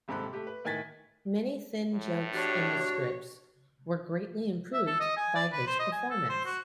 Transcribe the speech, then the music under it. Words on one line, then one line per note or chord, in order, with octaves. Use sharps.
Many thin jokes in the scripts were greatly improved by his performance.
D#1 G#2 C3 A4 B5 F#6
A3 G4
B4
A2 D#3 G#5 G#6 A6 B6
A2
D4 F#4 G4 C#5
E5
A4
D#5
G#5
D5
B4
C5
D#5
G#5
A4
C5
F#4